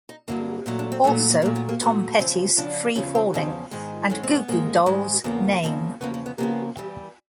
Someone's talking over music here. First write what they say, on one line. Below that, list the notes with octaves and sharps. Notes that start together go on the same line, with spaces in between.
Also, Tom Petty's "Free Falling" and Goo Goo Dolls' "Name".
D#4
G2 D3 F#3 A#3 E4
A#2 F#3 A3 D#4
D4
C4
A#2 F#3 A3 B3
A#3
A#2 F#3 A3 A#3
B3
A#3
A#2 F#3 A3 B3
E2 C#3 F3 C4
E2 C#3 F3 D4
E2 C#3 F3 C#4
C4
E2 C#3 F3
G#2 D#3 G#3
G#2 D#3 G#3 C#4
C4
B3
G#2 D#3 G#3 A#3
G#2 D#3 G#3
E2 C#3 F3 A#3 B3
E2 C#3 F3 A#3
E2 C#3 F3 A#3 B3
A#3
B3
E2 C#3 F3 A#3 B3
G2 E3 G3